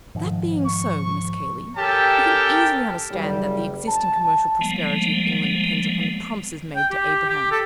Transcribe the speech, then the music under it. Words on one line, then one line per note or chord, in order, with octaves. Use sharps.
'That being so, Miss Cayley, we can easily understand that the existing commercial prosperity of England depends upon the promises made to Abraham.'
G#2 D#3 F3
C#6
C#4 G4 A4 A#4 G5 A5
F#1 G3
A5
F3 G3 G#3 A#3 B3
G5
G4
G4
A4